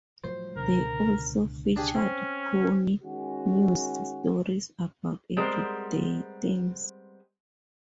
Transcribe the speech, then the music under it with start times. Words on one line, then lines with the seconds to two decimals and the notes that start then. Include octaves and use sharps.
They also featured phony news stories about everyday things.
0.24 A2 F3 F#3 C5
0.57 C#2 B2 D3 A#4
1.76 D4 G4 G#4
1.95 C4 C#4
3.03 D#3 G#3 C#4 F#4
5.37 G3 G#3 B3 C4 A#4 C5